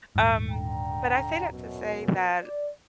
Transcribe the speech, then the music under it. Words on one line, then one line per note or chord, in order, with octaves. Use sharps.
Um, but I say that to say that
D#1 G#2
D3 G5 A#5
F#2 B2
D5